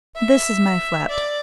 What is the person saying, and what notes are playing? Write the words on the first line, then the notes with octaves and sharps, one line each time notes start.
This is my flat.
E5
D5